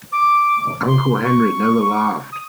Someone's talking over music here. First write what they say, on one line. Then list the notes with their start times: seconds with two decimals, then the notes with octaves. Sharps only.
Uncle Henry never laughed.
0.12 D6
0.87 C6
1.24 C#6
2.32 D#6